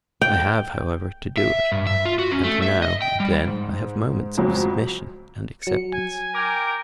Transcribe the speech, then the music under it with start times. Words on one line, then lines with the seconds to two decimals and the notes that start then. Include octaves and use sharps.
I have, however, to do it, and now and then I have moments of submission and acceptance.
0.22 G5
1.37 E5
1.72 G2
1.87 E5
2.05 F4
2.19 F#4
2.31 C#4
2.44 A3
2.62 E5
2.82 D#5
3.02 G5
3.20 G3
3.47 G#2
4.37 F2 C#3 F#3 G#3
5.63 F#3 C#7
5.92 G#5
6.35 A#4 G5 D6